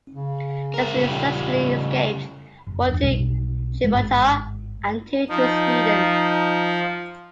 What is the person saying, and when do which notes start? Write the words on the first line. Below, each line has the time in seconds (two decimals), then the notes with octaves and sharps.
Just three successfully escaped, one to Gibraltar and two to Sweden.
0.12 C#3
0.74 C4 A#4
0.96 A#2 C#3 G3 G4
2.67 F#1
2.88 E2 D4
3.02 B1 B2 G3
3.83 G#1 G2 G#3
5.29 F3 D#4